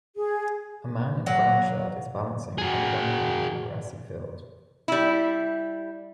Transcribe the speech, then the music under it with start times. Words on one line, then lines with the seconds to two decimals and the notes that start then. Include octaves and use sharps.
A man in a brown shirt is balancing on one hand in a grassy field.
0.15 G#4
1.26 F#3 A#3 F#5
2.58 F#4 G#4
4.88 G3 E4